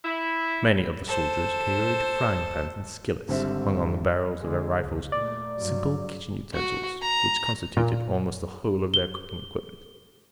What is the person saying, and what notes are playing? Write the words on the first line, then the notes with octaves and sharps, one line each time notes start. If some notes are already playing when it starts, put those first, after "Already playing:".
Many of the soldiers carried frying pans and skillets hung on the barrels of their rifles, simple kitchen utensils which constituted almost the whole of their cooking equipment.
E4
A4 C5
G#1 D3 G3 C4 E5
D3 G#3
C#2
A#2 A3 D5
G2 F#3
F#4
A#5
A#2
G7